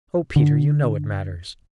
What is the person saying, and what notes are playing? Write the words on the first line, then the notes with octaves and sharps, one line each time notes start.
"O Peter, you know it matters."
D3